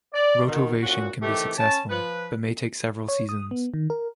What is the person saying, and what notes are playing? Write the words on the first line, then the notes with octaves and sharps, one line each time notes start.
Rotovation can be successful, but may take several seasons.
D5
B2 D#3
G2 A#2 C#4 F#4
C3 D#3 E3 A3 G4
C#4 A5
F3 B4
C#5
D#6
B3
D#3
A#4